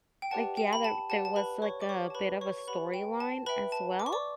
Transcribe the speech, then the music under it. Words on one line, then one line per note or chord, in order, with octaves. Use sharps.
like, yeah, there there was like a bit of a storyline as well,
G5
G4 B4 D5 F#5 A5
G5
B5
A5
G4 B4 D5 F#5 A5
A5
B4 B5
C#5 C#6
D6
G4 B4 C#5 D5 F#5 C#6
A5
B4 B5
C#5 C#6
C#6
G4 B4 D5 F#5 B5
G5
A5
B4 E5 G5 B5
A5
D6
C#6
D5 D6